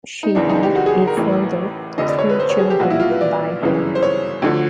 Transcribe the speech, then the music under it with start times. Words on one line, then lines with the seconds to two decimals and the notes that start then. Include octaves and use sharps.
She had a further three children by him.
0.23 D#4
0.35 F#1 E2 C#3 E3 D4
0.49 D#4
0.63 G4
0.76 F#4
0.86 G#4
1.07 A#4
1.17 A1 A2 E3
1.98 F1 F2 D3 D#5
2.08 D5
2.19 C#5
2.29 B4
2.40 C5
2.50 C#5
2.59 G#4
2.70 G4
2.80 B1 A#2 G3 F#4
2.90 E4
3.00 F4
3.10 B4
3.21 D5
3.62 G1 F#2 C#3 E3
3.95 C5
4.03 C#5
4.42 D2 D3 F3